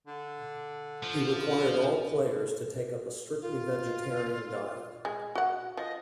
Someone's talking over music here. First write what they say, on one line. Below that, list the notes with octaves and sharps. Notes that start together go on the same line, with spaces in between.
He required all players to take up a strictly vegetarian diet.
D3
F3
F4
G#3
F#4 F#5
F3 D#5